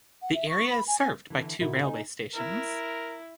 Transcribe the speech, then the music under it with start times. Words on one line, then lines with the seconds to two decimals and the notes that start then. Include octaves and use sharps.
The area is served by two railway stations.
0.22 F#5
0.34 E5
0.49 C#6
0.69 B5
0.88 G#5
1.00 G#5
1.30 D3 E3
1.60 A#2 D#3 E4 F#4
1.82 D#4 A4 D#5 G#5
2.35 E4 A#4